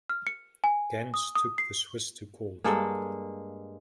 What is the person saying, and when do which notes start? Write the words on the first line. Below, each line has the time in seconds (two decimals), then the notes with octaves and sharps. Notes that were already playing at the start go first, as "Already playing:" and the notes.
Ganz took the Swiss to court.
0.09 F6
0.27 C#7
0.64 G#5
1.14 D#6
1.35 D#6
1.58 C7
2.64 G2 G#3 A#3 A4